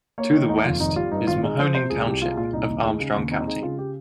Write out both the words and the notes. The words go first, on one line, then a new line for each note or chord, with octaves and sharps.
To the west is Mahoning Township of Armstrong County.
A#3 C#5
D#3
D#2 D#4
F1 F4
G#1 D#4
G3 F4
G2 D#4
G#1 F4
G#3 D#4
F3 C5
C3 C5
C#2 G#4
C2 G4
G#3 F4
A#2 F4
C2 D#4
D#2
G#3
C#3
D#2
C4 D#4
G#3 D#4
C#3 F4
G4